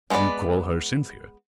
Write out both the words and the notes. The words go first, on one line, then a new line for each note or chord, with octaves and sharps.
"You call her Cynthia?"
G#3 B3 F#4 B4 D5